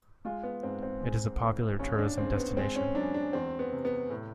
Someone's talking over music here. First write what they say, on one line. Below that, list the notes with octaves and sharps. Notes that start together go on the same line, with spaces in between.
It is a popular tourism destination.
G#3 F4
B3
G#2 C4
C4
G#3
A2
D#2 C#4
D4
C#3 C4
B3
G#3 C4
C#4
F#2 D4
D4
E2 C4
B3
C3
B3
A2